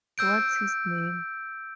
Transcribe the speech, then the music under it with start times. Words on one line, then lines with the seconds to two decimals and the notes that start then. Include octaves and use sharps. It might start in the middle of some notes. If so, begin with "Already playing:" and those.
What's his name?
0.18 E6 G6 D7